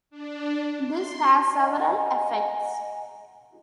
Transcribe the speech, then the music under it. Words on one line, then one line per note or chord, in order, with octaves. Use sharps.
This has several effects.
D4
C6
D#5 F#5 G#5 A#5